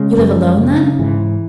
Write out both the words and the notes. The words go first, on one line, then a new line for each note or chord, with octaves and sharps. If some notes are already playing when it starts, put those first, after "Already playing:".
"You live alone, then?"
Already playing: C#3 G#3
F#2
C#3
G#2 E3